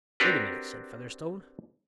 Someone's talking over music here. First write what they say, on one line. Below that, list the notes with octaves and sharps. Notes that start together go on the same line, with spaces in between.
"Wait a minute," said Featherstone.
C4 D4 F#4 G4 A#4 B4